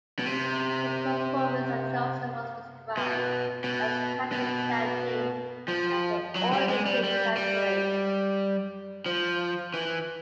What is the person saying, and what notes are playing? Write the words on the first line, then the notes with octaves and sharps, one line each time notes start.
His performance as Jolson was described as "touching, enchanting, and to all indications, accurate".
B2
C3
B2
B2
B2
F3
F#3
G3
G#3
G3
G3
G3
F3
E3